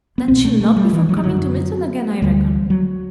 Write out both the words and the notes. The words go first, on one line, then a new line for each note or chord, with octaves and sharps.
'Then she'll not be for coming to Milton again, I reckon.'
B3
C2 B2 C4
A3
A3
G3
E3
F#3
G3
F#2 D3 F#3
D2 D3 G3
F#3